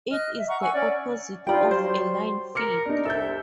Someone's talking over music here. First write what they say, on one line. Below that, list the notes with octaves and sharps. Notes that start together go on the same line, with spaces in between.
It is the opposite of a line feed.
D#5 F6 F#6
E5
F#5 A#5 C#6
F#5 G#5 C#6 E6
C#4 D5
G3 D4 D#4 F4 D5 G5 B5
F#3 C5 C6
A#4 D6 F6 C#7
D4 D#4
C2 A4 E5 E6 G6